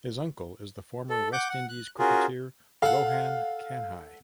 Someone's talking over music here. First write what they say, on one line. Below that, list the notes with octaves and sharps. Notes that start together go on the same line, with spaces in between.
His uncle is the former West Indies cricketer Rohan Kanhai.
A4
F#5 D6 G6
F#5
F#6
C#4 F4 F#4 G#4 A#4
A4 F5 F#5